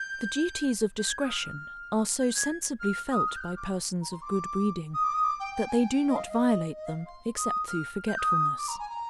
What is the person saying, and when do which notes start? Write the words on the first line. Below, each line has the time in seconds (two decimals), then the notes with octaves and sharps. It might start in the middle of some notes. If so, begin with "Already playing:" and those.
The duties of discretion are so sensibly felt by persons of good breeding, that they do not violate them except through forgetfulness.
Already playing: G6
0.98 G6
1.07 G#6
1.17 G6
1.23 D#6
1.28 F6
2.19 G6
2.34 G#6
2.79 F6
3.10 D#6
3.26 F6
3.36 G6
3.40 F6
3.56 D6
4.01 A#5
4.11 C6
4.21 D6
4.93 D#6
5.03 D6
5.13 D#6
5.23 D6
5.39 G5
5.54 G5
5.67 G#5
5.79 G5
6.08 D#5
6.15 F5
6.29 D#5
6.75 D#5
6.85 F5
7.06 C6
7.36 D#6
7.66 F6
8.07 G6
8.17 D#6
8.57 D6
8.67 A#5
8.79 G#5
8.89 A#5